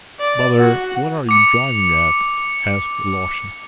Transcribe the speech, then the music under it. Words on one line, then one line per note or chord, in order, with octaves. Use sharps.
"Brother, what are you driving at?" asked Alyosha.
D5
F#4
D6 C#7